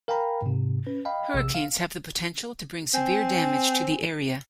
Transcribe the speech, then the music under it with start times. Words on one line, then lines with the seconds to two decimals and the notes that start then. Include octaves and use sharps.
Hurricanes have the potential to bring severe damage to the area.
0.08 A#4 F5 G5 G#5 A#5 B5
0.42 G#2 C3
0.87 C#4 B4
1.05 D#5 F5 G5 B5
1.34 A#1 C3 E6
1.55 F5
2.94 C4 G#5